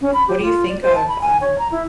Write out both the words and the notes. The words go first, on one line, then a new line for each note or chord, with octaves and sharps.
What do you think of, um
C#4
B5
G4
F4
D5
C5
A5
B5
G#5
C#5
A#5
E4